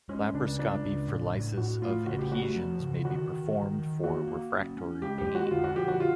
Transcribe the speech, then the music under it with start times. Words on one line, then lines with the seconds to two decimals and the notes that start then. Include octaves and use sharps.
Laparoscopy for lysis of adhesions may be performed for refractory pain.
0.09 G#3 C#4
0.34 C#3 D4
0.59 G#3 D4
0.84 C#3
1.08 A2
1.32 A2
1.57 A2 F#4
1.82 A3 F4
2.06 C#3 F#4
2.19 G4
2.32 A3 F#4
2.56 F3
2.80 C#3
3.05 D#3 F#4
3.30 D#3
3.55 D#3
3.79 D#3
4.04 A#3 F#4
4.28 A#3
4.53 C#4
4.77 C#4
5.02 G#3 G4
5.18 G4
5.27 G#3
5.35 F#4
5.51 D3 F4
5.64 F#4
5.76 F3 G4
5.88 F#4
6.00 F4